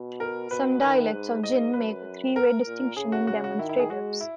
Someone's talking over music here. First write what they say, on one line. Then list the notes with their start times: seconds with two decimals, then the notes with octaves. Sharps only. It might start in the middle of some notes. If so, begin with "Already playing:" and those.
Some dialects of Jin make a three-way distinction in demonstratives.
Already playing: B2
0.20 A#4
0.50 B2 B4
0.81 D#3 B4
1.12 G#2
1.43 G#2 D#5
1.74 F#2 B4
2.36 A#4
2.66 A#2
2.97 C#3 G#4
3.12 F#4
3.27 F#4
3.44 F#4
3.59 D#3 E4
3.69 E4
3.79 G#4
3.89 G#3 F#4
4.21 E4